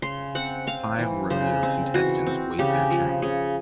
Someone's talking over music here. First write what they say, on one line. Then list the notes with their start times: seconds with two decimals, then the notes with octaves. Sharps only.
Five rodeo contestants wait their turn.
0.02 C#3 C6
0.35 C4 F#5
0.67 C4 F5
0.99 E3
1.30 C#3 C5
1.63 C4
1.94 E3 F#4
2.27 C4
2.59 C#3 G4
2.90 F3
3.22 C#3 G#4